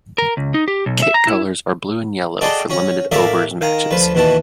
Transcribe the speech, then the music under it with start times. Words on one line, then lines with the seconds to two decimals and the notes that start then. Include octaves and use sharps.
Kit colours are blue and yellow for limited overs matches.
0.18 A#4
0.37 C#2
0.54 D#4
0.68 G4
0.86 B1
1.02 E5
1.14 A#5
1.27 E4
2.41 F#4 G#4 A4 D5 D#5 G5
2.70 C#4 F#4 C#5
3.12 A2 F#4 A#4 D5 E5 F5
3.61 D#3 F5 A#5
3.91 D2 F3 B4
4.15 D#2 B2 E3 F#4 A5